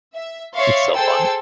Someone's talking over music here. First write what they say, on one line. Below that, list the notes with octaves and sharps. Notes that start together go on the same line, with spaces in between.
It's so fun.
E5
C#5 D5 E5 F5 C6 C#6
G#4 A4 C5 G5 A5 E6